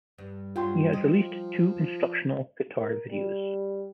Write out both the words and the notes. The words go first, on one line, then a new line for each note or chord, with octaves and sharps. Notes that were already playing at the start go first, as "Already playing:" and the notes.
He has released two instructional guitar videos.
G2
G2 F#3 F4 G5 C6
F3 D#5
A#4
G3